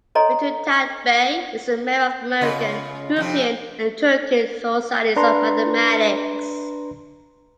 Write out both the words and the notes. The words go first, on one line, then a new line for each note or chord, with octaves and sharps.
Betül Tanbay is a member of American, European and Turkish societies of mathematics.
A4 C#5 D#5 G#5 A#5 C6
C#3 F4 D#5
F2 C3 F3
D4 B4 A#5 C6